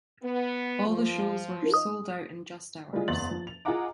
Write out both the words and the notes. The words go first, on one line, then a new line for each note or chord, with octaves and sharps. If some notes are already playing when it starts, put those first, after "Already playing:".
All the shows were sold out in just hours.
B3
F3
G3 G#3 F4 G#4
F#1 E2 C6 A6 F#7
F3
F7
F4 G#4 D#5 F#5 A#5 D6